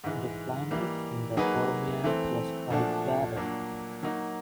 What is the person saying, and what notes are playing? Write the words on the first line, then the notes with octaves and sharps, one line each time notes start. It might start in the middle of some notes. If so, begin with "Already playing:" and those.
The climate in the Permian was quite varied.
G#2 E3 G#3
E3 G3 A#3
F#3 A#3 D#4 G#4 B4
E3 A3 C4
A#2 F3 A3 D4 F#4
A#2 F#3 A#3 D4
F#3 A#3 D#4